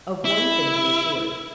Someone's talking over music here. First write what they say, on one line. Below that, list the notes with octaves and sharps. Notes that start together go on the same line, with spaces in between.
Of one thing be assured.
E4